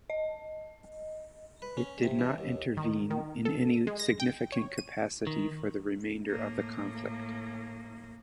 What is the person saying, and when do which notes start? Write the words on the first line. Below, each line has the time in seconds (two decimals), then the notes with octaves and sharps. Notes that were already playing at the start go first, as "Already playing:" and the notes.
It did not intervene in any significant capacity for the remainder of the conflict.
0.10 D#5
1.62 B4
1.77 C#4
2.03 C3
2.19 E3
2.38 D#2
2.77 D#3
3.10 D#3
3.45 A4
3.87 G#3
3.99 A#6
4.20 G5
4.52 C#5
4.78 D#7
5.27 D#3
6.28 A2 A#3